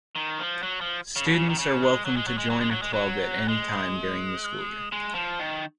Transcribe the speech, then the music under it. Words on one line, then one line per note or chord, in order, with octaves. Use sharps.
Students are welcome to join a club at any time during the school year.
D#3
F3
F#3
F3
C#3
B2
C#3
D#3
C#3
G#3
F#3
G#3
F#3
G#3
F#3
G#3
F#3
G#3
F#3
G#3
G#3
F3
D#3